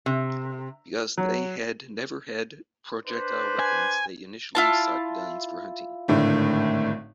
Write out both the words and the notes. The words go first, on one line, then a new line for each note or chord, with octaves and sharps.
Because they had never had projectile weapons, they initially sought guns for hunting.
C3
F#3
D4 B4 C5
G#5
E4 F4 A5
G#1 A2 D3